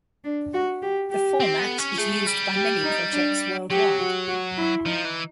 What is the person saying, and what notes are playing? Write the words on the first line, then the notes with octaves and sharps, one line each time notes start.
The format is used by many projects worldwide.
D4
F#4
G4
G4
C4
B3
C#4
A3 G#4
G3
G4
D#4
D4
F#3 G4
F#4
F#4
E4
F3 D#4
E3